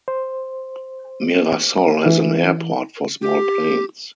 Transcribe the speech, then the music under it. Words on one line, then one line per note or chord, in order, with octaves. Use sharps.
Mirassol has an airport for small planes.
C5
E3
G4